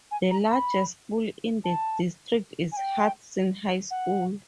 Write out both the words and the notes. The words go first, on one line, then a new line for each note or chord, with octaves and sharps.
The largest school in the district is Hudson High School.
G#5
A#5
B5
A5
G#5
G5
F#5